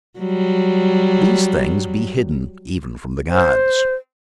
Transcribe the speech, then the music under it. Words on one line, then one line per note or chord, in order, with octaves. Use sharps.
These things be hidden even from the gods.
F#3 G3
C5